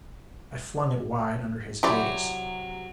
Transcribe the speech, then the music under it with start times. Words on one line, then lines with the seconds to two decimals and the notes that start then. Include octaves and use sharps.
I flung it wide under his gaze.
1.83 C3 F#3 E4 G4 D5